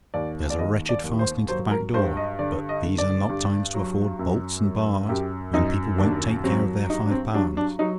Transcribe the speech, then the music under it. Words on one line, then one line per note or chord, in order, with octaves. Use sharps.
There's a wretched fastening to the back-door; but these are not times to afford bolts and bars, when people won't take care of their five pounds.
D#2 D5
D5
D#2 D#5
D5
D#2
C5
F#3 C5
A#4
G2 C5
D#5
D3 D5
D#5
D3
D5
G2
F#3
F#2
F#3
F#2 G4
F#2 D#4
D#2 D4
F#3 C4
G2 D#4
D4
C4
F#3 D4
D4
F#3 D#4